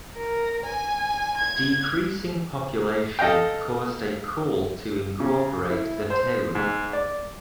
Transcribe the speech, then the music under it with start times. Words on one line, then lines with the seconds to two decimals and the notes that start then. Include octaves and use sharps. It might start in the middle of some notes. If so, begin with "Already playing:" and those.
Decreasing population caused a call to incorporate the town.
0.17 A#4
0.66 G#5
1.38 G#6
3.19 A4 D#5 F5 G5
5.20 C#3
5.70 E4
6.10 C5
6.55 G#2
6.93 D5